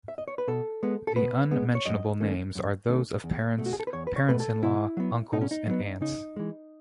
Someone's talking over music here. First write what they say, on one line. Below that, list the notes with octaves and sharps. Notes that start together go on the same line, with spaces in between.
The unmentionable names are those of parents, parents-in-law, uncles, and aunts.
E5
D#5
C#5
B4
B2 A4
G#3 B3
A4
B2 B4
G#3 B3
C#5
F#2 D#5
D#3 A3 C#4
F#2
D#3 A3 C#4
E2
B2 A3
F#4
G#4
A4
B4
E2 C#5
B4
C#5
B2 A3 B4
A4
B2 E4
F#3 B3
B2 D#4
C#4
D#4
F#3 B3
C#3 D#4
E3 G#3